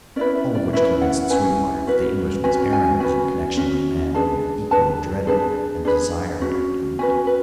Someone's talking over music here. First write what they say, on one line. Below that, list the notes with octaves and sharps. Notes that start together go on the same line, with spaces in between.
All of which convinced Sweetwater that the Englishman's errand was in connection with a man whom he equally dreaded and desired to meet.
C#4 E4 B4 D5
E5
D5
C#4 E4 B4 E5
F#5
C#4 E4 B4 G#5
C#4 F#4 B4
C#4 F#4 B4 G#5
G#5
C#4 F#4 B4 G#5
G#5
C#4 F#4
D4 G#4 B4 A5
D4 G#4 B4 A5
D4 G#4 B4 A5
D4 G#4 B4
C#4 F#4
C#4 F#4 B4 G#5
B4